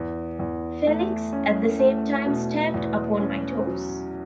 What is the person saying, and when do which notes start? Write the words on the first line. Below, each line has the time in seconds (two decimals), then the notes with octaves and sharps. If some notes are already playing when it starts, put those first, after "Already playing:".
Felix, at the same time, stamped upon my toes.
Already playing: E2
0.39 E2
0.87 A3
1.33 C#4
1.79 A3
2.26 B2
2.74 E2
3.20 C#4
3.67 F#3